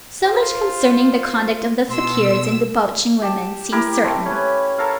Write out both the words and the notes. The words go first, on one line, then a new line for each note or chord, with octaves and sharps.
So much concerning the conduct of the Fakiers in debauching women, seems certain.
F4 C5
B2 C6 E6
G4 A5
E4 G4 A#4
A3 C4
C#4 B4
A4 A#4 F5